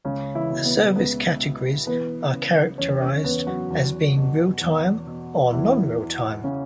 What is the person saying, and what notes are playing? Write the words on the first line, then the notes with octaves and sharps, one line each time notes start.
The service categories are characterised as being real-time or non-real-time.
C#2 C#3 C#4
E3 E4
B2
B3
C#2 B3 B4
B2
E3 B3 B4
C#3
E2 C#4 C#5
C#4 C#5
E2 B3 B4
F#3 F#4
E2
B2
E2
B2
E2 E3 E4
E3
C#3 C#4